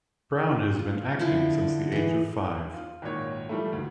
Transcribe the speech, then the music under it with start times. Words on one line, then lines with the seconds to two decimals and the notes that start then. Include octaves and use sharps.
Brown has been acting since the age of five.
0.79 F4
1.19 D3 F3 E4 C6
1.92 E3 G#4
2.74 F4
3.02 G#1 A#2 D#3 C#5
3.49 F3 G3 A3
3.73 D2